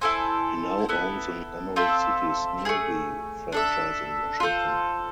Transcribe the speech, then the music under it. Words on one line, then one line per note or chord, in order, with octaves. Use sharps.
He now owns an Emerald City Smoothie franchise in Washington.
E4 A4 C5 G#5
B3 E4 A4
C4 F4 A4 E5
A3 E4 G#4
D4 A4 E5
F4 A4 C5